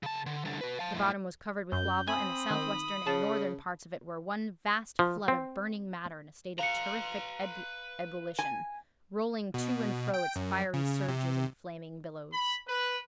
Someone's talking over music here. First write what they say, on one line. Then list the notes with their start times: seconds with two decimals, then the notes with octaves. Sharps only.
The bottom was covered with lava, and the southwestern and northern parts of it were one vast flood of burning matter in a state of terrific ebullition, rolling to and fro its 'fiery surges' and flaming billows.
0.03 C#3 A5
0.26 D3
0.45 C2 D3
0.61 F#4 B4
0.79 F5 A5
0.94 F#2 A2
1.72 F#2 G6
2.08 C4 G#5 B5 D#6
2.50 D#3
3.07 C#3 A5
4.99 F3
5.28 C4
6.59 B4 F5 A#5 C#7
8.39 G#5
9.54 B2
10.14 G5
10.36 F#2
10.74 C#3
11.08 C3
12.31 B5
12.66 B4